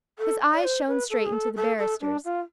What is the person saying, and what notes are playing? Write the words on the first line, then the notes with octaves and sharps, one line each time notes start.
His eyes shone straight into the barrister's.
A4
D5
C5
B4
A4
G#4
A4
A4
A4
D4
F4